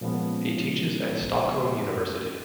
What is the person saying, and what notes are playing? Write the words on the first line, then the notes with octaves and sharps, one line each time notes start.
He teaches at Stockholm University.
A#2 F3 G#3 B3 C#4